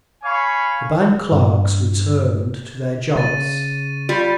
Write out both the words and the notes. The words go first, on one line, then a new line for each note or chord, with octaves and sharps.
The bank clerks returned to their jobs....
C#5 F5 G#5 B5 C#6
G2
C#3 C#6 A6 D#7
G3 F4